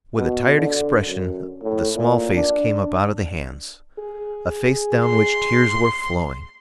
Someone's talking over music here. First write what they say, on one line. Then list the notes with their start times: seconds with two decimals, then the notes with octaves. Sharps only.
With a tired expression the small face came up out of the hands,--a face down which tears were flowing.
0.16 B2
0.56 D3
1.05 F#2
1.63 A2
1.96 A#2
2.34 D4
3.99 G#4
5.06 C6